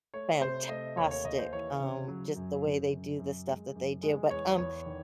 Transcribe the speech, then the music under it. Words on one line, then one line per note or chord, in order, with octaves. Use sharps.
fantastic, um, just the way they do the stuff that they do, but, um
A3 C#5
C3 C5
A3 D#5
D#2 C#5
C#5
D#2 D#5
C5
E3 C#5
C#3
F#3
F#2
C#3
F#2
F#2
G#3
F#2
G#3
E2 C#5
E2 C#5
D#3